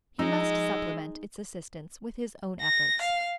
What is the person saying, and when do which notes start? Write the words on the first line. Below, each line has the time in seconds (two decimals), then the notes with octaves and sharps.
He must supplement its assistance with his own efforts.
0.19 F3 G#3 D#4 E6
2.62 A#6
3.02 F5